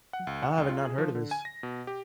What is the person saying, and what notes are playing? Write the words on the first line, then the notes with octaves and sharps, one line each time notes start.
How have I not heard of this?
F#5
C#2
F#5
C#2
F4
G#4
F3
D3
G#5
A#6
B2
G4